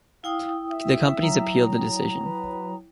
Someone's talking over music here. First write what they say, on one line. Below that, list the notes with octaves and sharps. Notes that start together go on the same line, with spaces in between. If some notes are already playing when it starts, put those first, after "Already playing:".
The companies appealled the decision.
E4 F5 G5 D#6
E5
F#3 A#5
B4